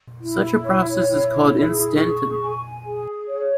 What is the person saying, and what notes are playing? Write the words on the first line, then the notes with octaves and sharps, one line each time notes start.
Such a process is called an instanton.
E4
C#5
E4
G#4
C#6
G#5
G#4
C#5